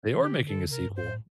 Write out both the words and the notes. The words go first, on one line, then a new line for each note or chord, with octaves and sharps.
They are making a sequel.
E3
D3 G4
A4
C3 A#4
G2
C5
A2